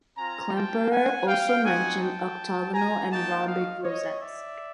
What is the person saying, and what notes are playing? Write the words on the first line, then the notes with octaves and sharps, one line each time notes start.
Klemperer also mentioned octagonal and rhombic rosettes.
C4 F4 G#5 A#5
G5 A5
F#5 G#5
F5 G5
C4 D#4 F#4 F#5 G#5
G5 A5
G#5 A#5
A#3 D#4 F#4 G5 A5
D#5 F5
C#5 D#5
D5 E5